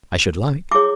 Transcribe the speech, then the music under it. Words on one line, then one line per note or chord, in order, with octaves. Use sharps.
"I should like."
E4 G#4 C#5 D6